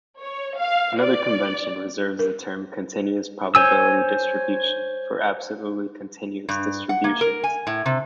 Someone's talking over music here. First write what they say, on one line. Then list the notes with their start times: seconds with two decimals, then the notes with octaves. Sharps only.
Another convention reserves the term "continuous probability distribution" for absolutely continuous distributions.
0.20 C#5
0.58 F5
1.01 D5
2.19 A#4
3.55 C5 C#5 G#5 E6
6.49 G2
6.89 F#5
7.04 A#3
7.21 A#4
7.44 G#5
7.67 A2
7.86 C3